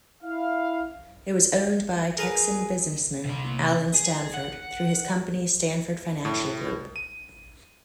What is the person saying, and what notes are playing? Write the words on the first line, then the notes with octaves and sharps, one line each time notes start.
It was owned by Texan businessman Allen Stanford, through his company Stanford Financial Group.
E4 F5
G#4 A#4 B4
C3 D5
G#4
F#5
A2
D#7